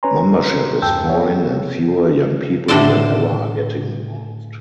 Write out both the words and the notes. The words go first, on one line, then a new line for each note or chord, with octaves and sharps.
Membership is falling, and fewer young people than ever are getting involved.
C#4 B4 C#5 G#5 A#5 C6
E2 G2 G5 A5 E6 G6
B3 G#4 C#5
A2 D3 D4 A4 C5 D5